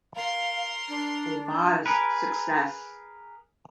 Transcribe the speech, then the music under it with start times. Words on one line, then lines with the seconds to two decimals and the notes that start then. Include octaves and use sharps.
A modest success.
0.16 A#4 F5 C6
0.88 D4
1.86 G#4 A#4 B4